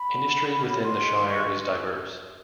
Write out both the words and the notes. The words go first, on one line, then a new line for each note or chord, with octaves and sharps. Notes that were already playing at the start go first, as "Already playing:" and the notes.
Industry within the shire is diverse.
Already playing: B5
D3
D3
D3
A#3
F#3
G#3 C6
G#3
D#3
G#3 C#6